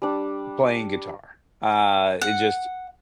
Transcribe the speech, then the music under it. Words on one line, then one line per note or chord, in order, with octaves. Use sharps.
playing guitar. Uh, it just
G3 D4
F#5